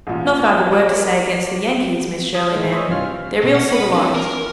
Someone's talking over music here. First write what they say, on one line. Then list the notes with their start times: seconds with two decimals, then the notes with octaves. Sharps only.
Not that I've a word to say against the Yankees, Miss Shirley, ma'am. They're real civilized.
0.07 A1 A#2
0.71 G4 A#4 C#5 D5 B5 D6
2.35 A5 D#6 G#6
2.52 A2 D#3 G#3
2.71 C5 C#5 D#5 G#5 C#6 E6
2.89 G2 C3 F4 F6
3.43 B2
3.55 F#5
3.73 B4 B5
3.93 C4 D4
4.15 A#4